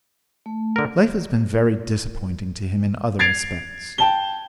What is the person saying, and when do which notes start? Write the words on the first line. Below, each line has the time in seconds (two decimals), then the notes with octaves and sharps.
Life has been very disappointing to him in other respects.
0.46 A3
0.76 D3 A#4
3.19 G#6 A6 C7 D7 F7
3.98 G5 A5 G7